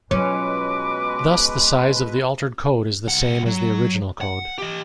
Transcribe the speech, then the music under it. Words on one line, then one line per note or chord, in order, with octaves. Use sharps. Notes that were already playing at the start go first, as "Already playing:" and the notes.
Thus the size of the altered code is the same as the original code.
B2 F#3 G#3 C#4 F4 B4 D6
C2 F#5
F#3
F#5
G4 D#5